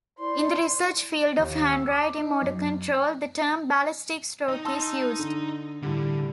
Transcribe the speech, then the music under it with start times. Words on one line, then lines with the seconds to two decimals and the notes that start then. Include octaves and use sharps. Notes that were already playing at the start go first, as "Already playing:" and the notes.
In the research field of handwriting motor control, the term ballistic stroke is used.
0.19 E4 C5 D5 C6
1.38 D#2
1.72 E6
1.88 D6
2.20 D#4
2.42 F#2
4.49 D#4 D#5
4.65 A5 C6 E6
5.19 D3
5.82 A2 D3 G3